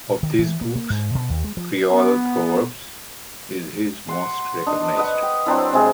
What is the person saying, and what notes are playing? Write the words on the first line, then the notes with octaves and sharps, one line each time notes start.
Of these books, "Creole Proverbs" is his most recognized.
D#3
E3
A#3
A#3
G#2
B2
D#2
G#3
F3
B3
F#5 C6
D4 D#5
B4 D#5 F#5
G5
F#3 C4 D4 E4
C3 G#3 G#4